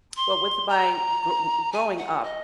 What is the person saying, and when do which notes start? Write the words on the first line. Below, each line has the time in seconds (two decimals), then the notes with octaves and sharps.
Well, with my gro growing up,
0.16 C6
0.69 A#5
1.72 G#5
1.98 F#5
2.23 D#5